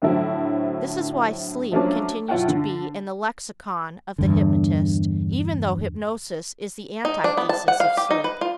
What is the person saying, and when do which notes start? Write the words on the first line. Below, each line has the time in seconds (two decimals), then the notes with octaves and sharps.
This is why "sleep" continues to be in the lexicon of the hypnotist even though hypnosis is the antithesis of sleep.
0.02 A2 D3 F3 F#3 A3 E4
1.72 F3 F#3 A3 A#3 C#4 D4
2.28 B1 E4 F4 C#5 F#5 G5
2.48 D3
4.18 E2 G2 D3
7.05 D#4
7.24 D4
7.37 B3
7.49 A5
7.68 F#5
7.80 F5
7.97 G4
8.11 D#4
8.24 B4
8.41 F4